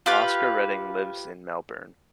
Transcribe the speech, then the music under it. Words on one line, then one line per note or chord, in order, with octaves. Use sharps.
Oscar Redding lives in Melbourne.
F4 G4 B4 F5